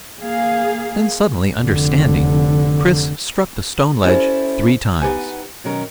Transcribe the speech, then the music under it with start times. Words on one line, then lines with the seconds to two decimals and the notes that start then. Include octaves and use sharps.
Then, suddenly understanding, Chris struck the stone ledge three times.
0.20 A#3 G#4 F5
1.57 F1 D3
4.03 C#4 E4 G4 A4 C5 D5
5.01 B3 D#4 G4 B4 F#5 G#5
5.64 B2 D#3 F#3 C#4 A#4